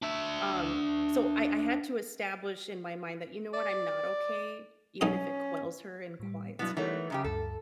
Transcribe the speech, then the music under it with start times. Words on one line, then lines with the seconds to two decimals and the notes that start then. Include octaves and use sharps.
Um, so I I had to establish, in my mind, that, "You know what, I'm not okay, even if it quells her, and quiets her,
0.03 D4 E5
3.54 D5
5.01 B1 C#4 D#4 D#5
6.20 A2 G3
6.59 G2 B2 F#3 B3 E4 A6
6.77 E3 A3 B3 D#4 A#4 C#5
7.10 F#2 C#3 G4
7.24 D2 G2 A4